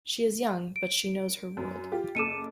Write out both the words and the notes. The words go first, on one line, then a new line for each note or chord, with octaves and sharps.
She is young, but she knows her world.
D7
F#2
F4 G4
F#1 A4 D6 C#7 D#7 E7